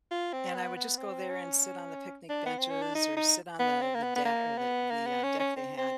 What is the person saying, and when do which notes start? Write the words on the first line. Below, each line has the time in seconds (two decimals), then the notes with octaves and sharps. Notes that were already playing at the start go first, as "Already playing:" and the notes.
and I would just go there and sit on the picnic benches or sit on the the deck or the the, uh, deck they had
0.11 F4
0.33 C4
0.55 B3
0.76 B3
0.97 C4
1.30 C#4
2.29 D4
2.45 B3
2.58 C4
2.70 C#4
2.82 D4
2.95 D#4
3.16 D#4
3.59 B3
3.81 C4
3.95 A#3
4.03 B3
4.16 B3
4.25 A#3
4.58 B3
4.91 A#3
5.06 B3
5.23 C#4
5.39 C#4
5.56 C4
5.77 C4